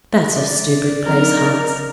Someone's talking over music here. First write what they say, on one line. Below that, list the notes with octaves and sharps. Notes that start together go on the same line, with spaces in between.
'That's a stupid place, Hans.
D5 E5
F#3 C4 D4 D#4 A#4